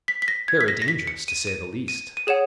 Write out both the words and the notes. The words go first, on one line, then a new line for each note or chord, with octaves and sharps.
"Very dangerous, to say the least."
B6
B6
A#6
G#6
B6
A#6
A#6
B6
C#7
D#7
D#7
D#7
D#7
G#4 C#5 F#5 E7